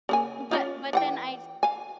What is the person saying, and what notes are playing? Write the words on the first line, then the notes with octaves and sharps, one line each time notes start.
but but then I
C#3 A#3 G#5
C#4 D4 F4
E3 F#5 G5
F5 G#5